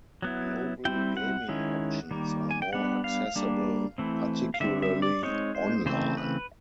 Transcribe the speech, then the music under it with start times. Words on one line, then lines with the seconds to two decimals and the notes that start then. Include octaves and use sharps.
Global gaming options are more accessible - particularly online.
0.22 F#3 B3 E4
0.85 G3 C4 E4 G5
1.17 F#5
1.49 D#3 G#3 C#4 E4
2.11 D#3 G3 A#3
2.51 G#5
2.62 G5
2.73 G3 B3 D4 F#5
3.04 F5
3.36 G3 A#3 D4
3.98 E3 A3 C4 E4
4.54 F5
4.60 D3 G3 C4 E5
4.82 E5
5.02 D5
5.23 G#3 C4 D#4 C#5
5.55 C5
5.86 C#3 E3 A3 C4 C5
6.17 B4